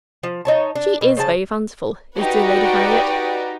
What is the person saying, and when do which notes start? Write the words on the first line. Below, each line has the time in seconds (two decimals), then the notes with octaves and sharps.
She is very fanciful, is dear Lady Harriet!
0.23 F3
0.45 D#4 C#5 A5
0.75 D4
1.01 B2
1.17 C#3 F3 F4 A5
2.18 D#4 F#4 G4 B4 D5